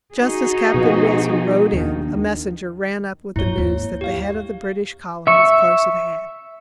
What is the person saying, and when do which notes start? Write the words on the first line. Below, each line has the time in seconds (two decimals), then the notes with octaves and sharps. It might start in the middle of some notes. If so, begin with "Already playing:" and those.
Just as Captain Wilson rode in a messenger ran up with the news that the head of the British column was close at hand.
0.15 D#4 F#4 G#4
0.74 B2 F3
1.73 D#2 D#3 D4
3.36 G2 F3 E4 C#5
3.58 D#2 G#2
4.01 G4 F5
5.27 E5 C#6